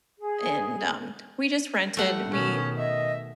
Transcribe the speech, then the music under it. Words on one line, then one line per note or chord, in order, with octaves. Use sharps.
and, um, we just rented we
G#4
G3 A3 F#5
B2 D#3 C#4
D#5 E5